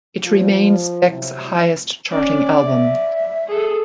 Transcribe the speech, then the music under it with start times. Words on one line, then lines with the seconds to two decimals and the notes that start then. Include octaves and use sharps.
It remains Beck's highest-charting album.
0.23 F3
1.08 C3 F#3 C4 E4
2.11 C#4 D5
2.65 E5
3.47 G#4 A4